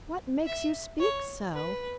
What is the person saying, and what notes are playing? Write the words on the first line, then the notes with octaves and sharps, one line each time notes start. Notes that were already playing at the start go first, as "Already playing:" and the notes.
What makes you speak so?
E5
C#5
B4